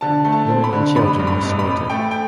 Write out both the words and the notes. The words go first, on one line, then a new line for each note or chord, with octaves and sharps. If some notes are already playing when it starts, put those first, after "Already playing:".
Women and children were slaughtered.
D3 A5
A3
A5
C4
B5
D3
A1 B5
G2
B5
A1
B5
A1
A3 G5
G5